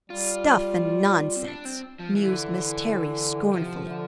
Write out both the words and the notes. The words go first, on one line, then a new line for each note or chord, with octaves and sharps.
"Stuff and nonsense!" mused Miss Terry scornfully.
G3 F4
C4
D4
C4
F3
D3 E3
C3 F3
D3